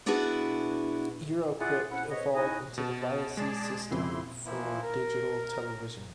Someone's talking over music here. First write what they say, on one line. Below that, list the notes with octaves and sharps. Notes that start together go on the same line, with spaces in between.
EuroCrypt evolved into the Viaccess system for digital television.
B3 D4 E4 F#4 G#4 B4
E4 F4 G#4 D5 F#5 G#5
C4 C#4 E4 F#5
C4 B4 C#5 D#5
G#3 D#4 E4 F#4 D#5 G#5
B2 A5
G#3 G#4 D5 A5
F2 C#3 E4 C6
E3 F3 A#3 E4
A#4